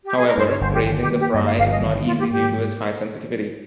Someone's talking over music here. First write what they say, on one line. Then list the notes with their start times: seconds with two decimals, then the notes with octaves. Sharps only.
However, raising the fry is not easy due to its high sensitivity.
0.05 G4
0.16 G#4
0.27 A#4
0.37 G2 C5
0.49 C#5
0.61 G1 C5
0.73 G4
0.86 D#3
1.01 G4
1.10 A#3
1.18 G4
1.34 G2 D#5
1.46 F5
1.58 G1 F5
1.71 D#5
1.83 D#3
2.06 A#3 F4
2.19 G4
2.31 G#2 G4